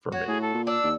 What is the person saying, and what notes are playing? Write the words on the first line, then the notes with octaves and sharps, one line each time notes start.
for me.
F#4 C#5
A2 G#4
A4
A#2
D4 E6
D#2